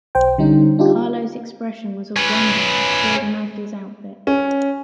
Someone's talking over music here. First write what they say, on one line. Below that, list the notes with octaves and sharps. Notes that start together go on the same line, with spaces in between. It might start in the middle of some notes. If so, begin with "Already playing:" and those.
Carlo’s expression was of wonder, seeing Magda’s outfit.
B1 C5 G5
D3 G3 C#4 D#4
D4 D#4 F4 G4
C#4 B4
C#4